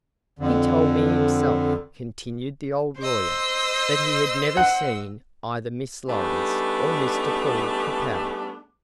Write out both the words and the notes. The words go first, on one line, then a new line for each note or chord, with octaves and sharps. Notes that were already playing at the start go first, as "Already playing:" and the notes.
"He told me himself," continued the old lawyer, "that he had never seen either Miss Lawrence or Mr Paul Capel."
F2 D3
C5 D#5 E6
F#5
G3 A3 B3 D4 D#4 G#4